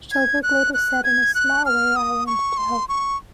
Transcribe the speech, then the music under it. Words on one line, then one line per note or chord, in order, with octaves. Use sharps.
Schulberg later said: In a small way, I wanted to help...
G#6
F#6
F#6
G#6
F#6
F6
D#6
C#6
C6
C#6